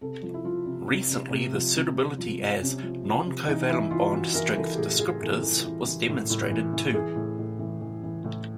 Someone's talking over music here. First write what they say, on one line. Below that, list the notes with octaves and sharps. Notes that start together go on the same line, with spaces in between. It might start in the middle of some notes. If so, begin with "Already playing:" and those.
Recently, the suitability as non-covalent bond strength descriptors was demonstrated too.
C3 A4
F3
E4
F3 F4
C3
C3
C3
C3
F3
C3
C3
F3
F3
C3 C#4
F3
F3
C3
E3 D#4
E3 E4
E3 F4
E3 F#4
E3 A#4
E3 A4
G4
A2 G#4
E3 G#4
E3 A4
E3
E3
E3
A2
A2
E3
E3
E3 G#4
A2
A2
E3
E3
E3
A2